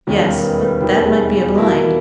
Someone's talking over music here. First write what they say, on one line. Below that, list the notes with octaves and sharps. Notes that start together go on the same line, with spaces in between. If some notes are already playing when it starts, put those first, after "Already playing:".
"Yes; but that might be a blind."
E1 D#2 D#3 G3 C#4 G#4
A#4
B4
B4
E1 D#2 D#3 G3 C#4 A#4
G4
G#4
G#4
B2 A#3 E4 G4
A#4